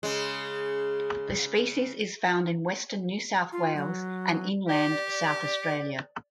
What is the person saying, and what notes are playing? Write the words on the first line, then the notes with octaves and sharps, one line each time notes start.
The species is found in western New South Wales and inland South Australia.
C#3 G#3
F4
F#3
G4 D5